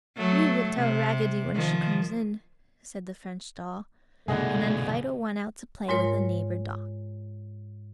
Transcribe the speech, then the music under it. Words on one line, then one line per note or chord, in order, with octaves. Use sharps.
"We will tell Raggedy when she comes in!" said the French doll, and then Fido went out to play with a neighbor dog.
F#3 A3
C3
D#3 F3
C2 G2 B2 D3 A3 G#4 D#5 F#5
G#2 G#3 F4 A#4 C#5